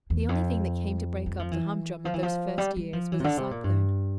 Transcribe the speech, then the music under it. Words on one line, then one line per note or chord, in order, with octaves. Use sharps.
The only thing that came to break up the humdrum of those first years was a cyclone.
E2
F2
G3
F3
E3
F3
E3
F3
G3
G3
F3
E3
C3
D3
C3
A#2
G2